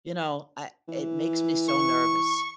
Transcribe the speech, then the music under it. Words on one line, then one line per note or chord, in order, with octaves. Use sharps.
you know, I it makes me so nervous.
E3
C#6